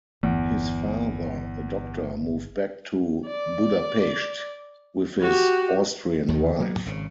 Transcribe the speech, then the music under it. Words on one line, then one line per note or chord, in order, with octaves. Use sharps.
His father a doctor moved back to Budapest with his Austrian wife.
G1 E2
D5
F#4 G4
D#2 D#3
F#3 A#3 B3
G#1 C#3